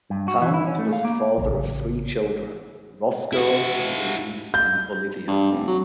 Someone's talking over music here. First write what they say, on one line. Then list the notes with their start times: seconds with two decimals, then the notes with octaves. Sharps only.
Pound was the father of three children: Roscoe, Louise, and Olivia.
0.10 G2
0.28 F#4
0.42 E3
0.54 E4
0.67 C#4
0.79 A3
0.93 F5
1.05 A#3
1.38 A1 C#3
3.33 E4 F#4
4.54 G6
5.28 G2
5.52 F1
5.67 F#3